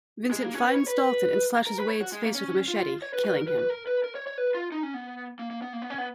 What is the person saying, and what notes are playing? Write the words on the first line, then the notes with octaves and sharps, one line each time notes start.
Vincent finds Dalton and slashes Wade's face with a machete, killing him.
G#3
A#3
C#4
B4
C#5
B4
A#4
B4
C#5
F#4
G#3
A#3
C#4
F4
C#5
B4
B4
A#4
B4
B4
A#4
B4
A#4
C#5
C#5
B4
F4
D#4
C#4
B3
A#3
A#3
B3
A#3
B3
C#4
B3